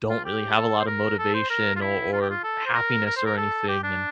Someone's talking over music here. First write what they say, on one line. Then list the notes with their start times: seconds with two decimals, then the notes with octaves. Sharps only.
don't really have a lotta motivation o or happiness or anything, and,
0.09 F4
0.25 G4
0.56 A4
0.80 C5
0.87 A#4
1.19 A4
1.34 C5
1.50 A#4
1.76 F4
1.81 E4
2.13 F4
2.22 G4
2.30 F4
2.43 A4
2.66 C5
2.75 A#4
3.06 A#4
3.16 C5
3.26 A#4
3.37 A4
3.69 G4
3.83 D4